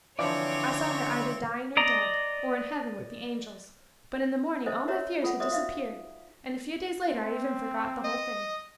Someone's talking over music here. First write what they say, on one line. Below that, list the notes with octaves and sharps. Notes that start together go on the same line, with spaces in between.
I saw her either dying or dead, or in heaven with the angels; but in the morning all my fears had disappeared and a few days later I even forgot the whole thing.
D3 E3 F3 C4 D4 C#5 D5 A#5
D5 D#5 A#5
C#4 A4 C5 D#5 E5 G#5
F#4 A#4 C#5 E5 A#5
F4 A4 F#5
F#4 A#4 C5 D5 E5 D#6
D#4 E5 F5
C4
D#5